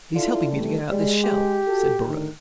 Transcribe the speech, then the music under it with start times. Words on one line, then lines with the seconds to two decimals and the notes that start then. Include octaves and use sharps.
"He's helping me to get out this shell," said Borrowe.
0.15 D3 E4 F4
0.52 E3 G3 A3
0.91 G3 G#3
1.24 G4
1.66 F#4 A4
2.06 A2 D3 D#3